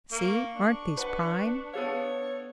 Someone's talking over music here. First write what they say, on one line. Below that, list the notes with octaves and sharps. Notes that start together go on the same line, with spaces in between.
"See--aren't these prime!"
A#3 C#6
D4
B4 F#5
B3 A4 C#5 F5